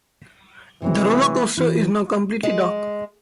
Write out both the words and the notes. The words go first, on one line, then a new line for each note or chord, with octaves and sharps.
The roller coaster is now completely dark.
C3 E3 F#3 G#3
E3 E4
G#3